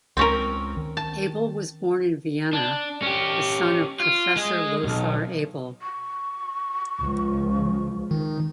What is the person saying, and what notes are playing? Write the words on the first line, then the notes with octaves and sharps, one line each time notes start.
Abel was born in Vienna, the son of Professor Lothar Abel.
C#2 C4 C#4 A#4
D#3
A5
D4
C#4 G4
F4
G#3 G#4
B1 E2
C#6
C#2 F3
D#3 D#4